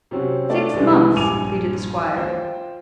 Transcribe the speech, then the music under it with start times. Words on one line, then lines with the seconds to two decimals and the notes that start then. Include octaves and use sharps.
"Six months," pleaded the squire.
0.11 C3 F#3 C4 C#4 F#4
0.50 A3 D4 D5
0.73 C2 E3 G3 G#3
1.16 A#1 G2 G#5 D6 D#7 F7
2.15 F4 C5 G5